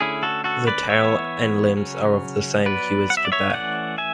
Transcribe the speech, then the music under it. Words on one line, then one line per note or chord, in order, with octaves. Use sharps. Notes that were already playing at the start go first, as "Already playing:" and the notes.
The tail and limbs are of the same hue as the back.
D3 A3 C#4 E4 G#4
F#4 A4
F#4 A4
B4 D5
E3 B3 C#5 E5
C#3 F#3 C#4
F#3 B3 B4 D5
F#5
E5
D5
C#5 E5
E3 A3 C#4 D5 F#5
E5 G#5